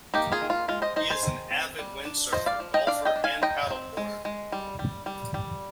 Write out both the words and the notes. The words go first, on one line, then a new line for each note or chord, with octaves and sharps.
He is an avid windsurfer, golfer and paddleboarder.
A#3 D#4 G4
F4 G#4
D#3
F4
G#3 F4
C5 D#5
D#4 C5 D#5
G#4 C5
D#3
C4
G3
D4
F3 C5 D#5
D5 F5
F3
D#5 G5
D4 D5 F5
D#5 G5
D4
F5 G#5
D#4 D#5 G5
C4
G#3
G#3
G3
G3
G3
G3